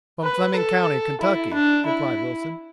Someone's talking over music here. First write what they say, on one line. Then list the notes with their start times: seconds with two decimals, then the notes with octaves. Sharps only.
"From Fleming County, Kentucky," replied Wilson.
0.23 B4
0.56 A4
1.21 E4
1.53 D4
1.86 E4